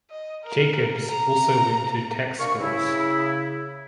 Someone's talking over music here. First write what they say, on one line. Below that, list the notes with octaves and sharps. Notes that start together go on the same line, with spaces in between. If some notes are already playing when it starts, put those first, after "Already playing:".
Jacobs also went to tax schools.
D#5
A#4
A#5
D4 A#4 F5 C#6
C#3 E4